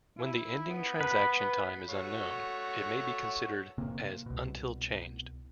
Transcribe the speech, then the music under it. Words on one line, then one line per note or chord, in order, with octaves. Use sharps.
When the ending transaction time is unknown, it may be considered as "Until Changed".
E4
B3
B4
A3 F#4 C#5
C3 A#3
C2 B2